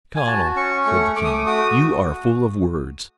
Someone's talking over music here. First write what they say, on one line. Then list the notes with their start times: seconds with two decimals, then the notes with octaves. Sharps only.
Conall," said the king, "you are full of words.
0.16 G#5
0.27 F#4 A5
0.56 C#4 C#6
0.86 A3 C#6
1.16 A3 D6
1.24 D#6
1.33 D6
1.46 F#4 D#6